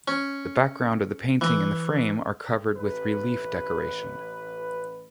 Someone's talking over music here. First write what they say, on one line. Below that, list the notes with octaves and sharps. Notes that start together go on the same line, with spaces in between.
The background of the painting and the frame are covered with relief decoration.
C#4
E3
A1 B4